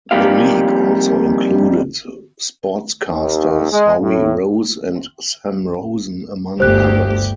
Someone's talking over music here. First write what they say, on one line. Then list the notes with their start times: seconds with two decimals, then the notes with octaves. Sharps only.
The league also included sportscasters Howie Rose and Sam Rosen, among others.
0.11 F2 D#3 G3 A#3 G4 F5
3.08 D#2
3.71 G#3
4.01 A2
6.60 G1 D2 G4 C5 F#6